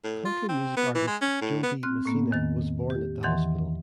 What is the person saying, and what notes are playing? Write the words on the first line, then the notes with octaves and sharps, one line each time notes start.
Country music artist Jo Dee Messina was born at the hospital.
A2
F4
C4
B3
E3
G#3
C#4
A2
B3
C4 F6 F#6
A2 A#3 B3
E2 D#3 A6
G4
E2 D#3 E3 F#5 C6 A6